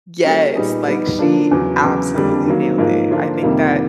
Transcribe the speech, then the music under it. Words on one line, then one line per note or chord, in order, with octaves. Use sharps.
Yes, like she absolutely nailed it, I think that
G3 A#3 C#4 F#4 A4
A#2 G3 B3 D#4 G#4
G3 B3 D#4
D3 F3 A#3 D4
E2 C#3 F#3
E2 C#3 F#3
F2 D3 G3 A#3 D4
D#3 F#3 A#3
G#2 F3 A#3
D3 F3 A#3 D4 F4
F2 C3 D#3 G3 A#3